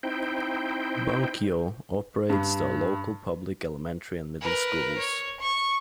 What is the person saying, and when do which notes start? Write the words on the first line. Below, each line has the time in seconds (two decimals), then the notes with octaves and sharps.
Bunkyo operates the local public elementary and middle schools.
0.03 C4 D#4 E4 C5 G5
2.29 G2
4.41 A#4 B4
4.98 C#5
5.40 C#6